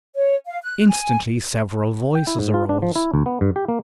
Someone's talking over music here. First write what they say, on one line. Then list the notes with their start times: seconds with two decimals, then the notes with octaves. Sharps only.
Instantly, several voices arose.
0.15 C#5
0.46 F5
0.63 F#6
0.88 G#5
2.15 G5
2.27 E4
2.39 G#2
2.54 F4
2.69 D4
2.82 F3
2.95 E4
3.14 D2
3.26 B3
3.41 G2
3.56 G4
3.68 A#3